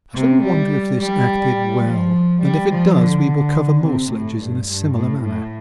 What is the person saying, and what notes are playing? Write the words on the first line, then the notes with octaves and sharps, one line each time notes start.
I shouldn't wonder if this acted well, and if it does we will cover more sledges in a similar manner.
C3
G3
G3
F3
G3
F3
D3
C3
A2
G2
G2
A2
A2